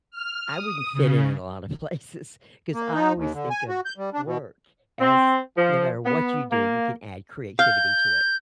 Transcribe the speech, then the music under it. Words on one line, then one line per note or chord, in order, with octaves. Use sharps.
I wouldn't fit in in a lot of places 'cause I always think of work as no matter what you do, you can add creativity to it
F6
D#6
C#3
A#3
D#4
D#2
D3
G#5
F#4
G6
G3
D4
B2
C4
F3
B3
A#3
F5 G6